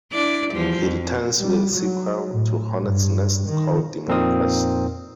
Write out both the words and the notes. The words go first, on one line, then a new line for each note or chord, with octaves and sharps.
He returns with a sequel to "Hornets' Nest" called "Demon Quest".
D4 E4 D5
E2 F3 G3
F2
G3
F#3
A2
G2
D#3
F2 A#2 C4 D#4 A#4 D#6